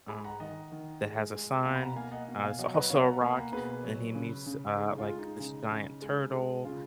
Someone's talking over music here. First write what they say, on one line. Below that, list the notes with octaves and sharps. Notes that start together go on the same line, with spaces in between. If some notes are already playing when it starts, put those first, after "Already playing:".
um, that has a son, uh, that's also a rock. And he meets, uh, like, this giant turtle,
G#3 G#5 B5
F#5 A#5
D#3 D#5 F#5
D#3
G#3
G#3
B2 F5 G#5
B5
F#5 A#5
A#3 F5 G#5
D#5 F#5
B2
F5 G#5
F#3 D#5 F#5
B4 D#5
B2 C#5 F5
F#5 A#5
A#3 G#5 B5
F#5 A#5
B2 G#4 B4
F#3
C#3
C#3
G#3 D#4
F4
G#3
D#4
C#3
C#3
G#3
G#3
C#3 F4